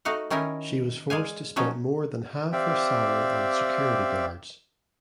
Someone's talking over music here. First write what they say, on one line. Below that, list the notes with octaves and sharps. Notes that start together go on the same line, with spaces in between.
She was forced to spend more than half her salary on security guards.
A3 D#4 F#4 F5 F#5
D#3 C#4 D#4 E4 A#4
G#3 D5 F5 G#5
F3 F#3 C#4 D#4
C4 G4 D5 E5 F5 G5